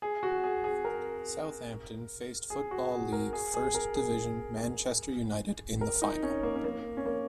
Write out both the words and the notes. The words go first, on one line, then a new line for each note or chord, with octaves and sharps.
Southampton faced Football League First Division Manchester United in the final.
G#4
F#4
G#4
G#4
A#4
G#4
F#4
G#4
A#4
G#4
G#4
A#4
G#4
A#4
D#4
C#4
A#3
C#4
A#3
C#4
A#3